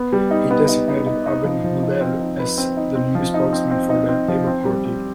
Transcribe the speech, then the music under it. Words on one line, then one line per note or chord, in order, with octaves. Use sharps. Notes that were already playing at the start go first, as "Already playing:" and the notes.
He designated Arvin Boolell as the new spokesman for the Labour Party.
Already playing: B3
G3
D#4
B3
D#4
D#4
D#4
D#4
F3
F3
D#4
C4
D#4
B4
C4
D#4
C4
F3
D#4
C4
C4
D#4
C4
F3
C4
G3
G4